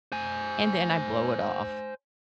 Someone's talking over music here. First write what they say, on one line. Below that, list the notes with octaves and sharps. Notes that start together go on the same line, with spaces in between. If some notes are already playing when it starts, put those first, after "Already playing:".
and then I blow it off.
C5 G#5